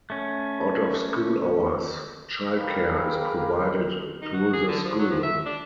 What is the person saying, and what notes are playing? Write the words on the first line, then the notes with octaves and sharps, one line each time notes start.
Out of schools hours child care is provided through the school.
A3 C#4
G4 G#4 A#4 B4 F5
D#4
F#4
G#4
D3
F3
F#3
F3
E5
D4